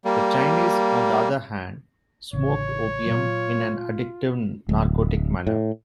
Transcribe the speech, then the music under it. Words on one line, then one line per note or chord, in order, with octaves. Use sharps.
The Chinese, on the other hand, smoked opium in an addictive narcotic manner.
G3 A#3
A1 C#3 C#5
A#2 F#3 F4
D1
A2